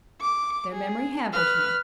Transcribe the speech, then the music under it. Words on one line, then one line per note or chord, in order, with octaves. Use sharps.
Their memory hampered him.
D6
G#4
B4 F6